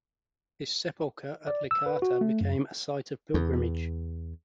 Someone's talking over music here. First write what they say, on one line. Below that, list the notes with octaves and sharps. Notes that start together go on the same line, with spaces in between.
His sepulcher at Licata became a site of pilgrimage.
D5
E6
B4
F#4
A3
F#2
E2